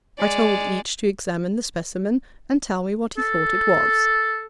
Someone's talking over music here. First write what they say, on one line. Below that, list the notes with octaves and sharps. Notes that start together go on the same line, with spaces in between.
I told each to examine the specimen, and tell me what he thought it was.
G#3 D5
A4